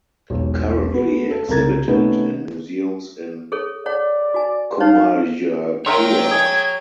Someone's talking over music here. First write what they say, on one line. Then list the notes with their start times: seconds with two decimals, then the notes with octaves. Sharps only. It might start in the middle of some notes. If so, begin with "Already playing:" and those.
Currently exhibited in museums in Comayagua.
0.30 E1 B1
0.94 B3 F#4 G#4
1.31 A4
1.48 C2 C#3 A#4 A#5 G#6 A6
1.88 C3 A3 B3 C#4 D#4
3.52 G#4 A4 C#5
3.86 C#5 D5 F#5
4.34 F#4 G#5
4.80 D#4 C#5 F5
5.86 A#4 C#5 E5 G5 A#5 C6
6.31 G#4 G#6